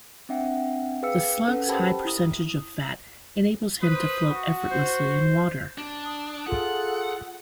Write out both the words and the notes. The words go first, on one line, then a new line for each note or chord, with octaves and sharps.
The Slug's high percentage of fat enables him to float effortlessly in water.
C4 D4 E5 F#5 G5
G#4 B4 F5 G5 E6 C#7
C#4 A4 B4 F#5
G4 A#4 C5 G5 A5 B5
E4 D#6
B4 C5 D#6
F#4
C5
D4
A5 D#6
F4 G#4 A4 F#5